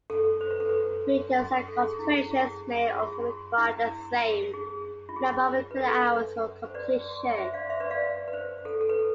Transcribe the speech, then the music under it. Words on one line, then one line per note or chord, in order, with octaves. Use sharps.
Majors and concentrations may also require the same number of credit hours for completion.
A4
C5
B4
A4
B4
A4
G#4
E4
G#4
G#4
F4
E4
G#4
F4
G#4
B4
A4
B4
C5
B4 D5
C5 E5
D5 F5
C5 E5
B4 D5
D5 F5
B4
C5
A4
A4
B4
A4